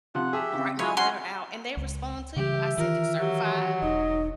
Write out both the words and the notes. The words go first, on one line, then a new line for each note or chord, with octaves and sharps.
write my letter out, and they respond to you. I sent it certified
C3 F3 F4 F#5
G4 G#4 E5 A5
C#3 C4
F#3 E4 F4 G#4 C#5 G#5
C#4 F#4 F#5 G#5 C6
C#2
C#3 E3 G3 G4 E5
D#3 E3 F4 A#4
F#3 G4
E1 D#4 D#5